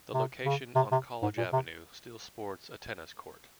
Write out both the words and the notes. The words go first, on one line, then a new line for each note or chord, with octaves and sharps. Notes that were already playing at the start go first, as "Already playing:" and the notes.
The location, on College Avenue, still sports a tennis court.
C3
C#3
C3
C3
G#2
A#2
C3